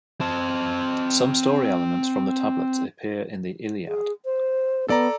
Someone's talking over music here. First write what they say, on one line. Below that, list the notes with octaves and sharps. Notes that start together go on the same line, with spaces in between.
Some story elements from the tablets appear in the "Iliad".
C4 A5
G#4
C5
B3 A4 D5 A#5